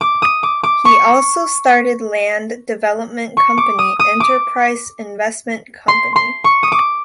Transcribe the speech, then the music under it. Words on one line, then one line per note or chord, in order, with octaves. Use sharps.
He also started land development company Enterprise Investment Company.
D6
D#6
D6
D6
C#6
C#6
D6
D#6
D#6
D6
C6
C6
C#6
D#6
D6